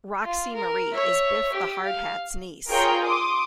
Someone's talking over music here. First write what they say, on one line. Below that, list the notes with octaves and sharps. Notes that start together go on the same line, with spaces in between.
Roxie Marie is Biff the Hardhat's niece.
F4
A#4
C#5 E5
G4
F5
F4 G#4 A#4 C#5 G5
C6 D6 D#6